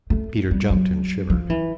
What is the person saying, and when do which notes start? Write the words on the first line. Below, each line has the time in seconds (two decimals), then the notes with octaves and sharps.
Peter jumped and shivered.
0.10 A3
0.51 G3
0.70 F#3
1.30 F3
1.50 E3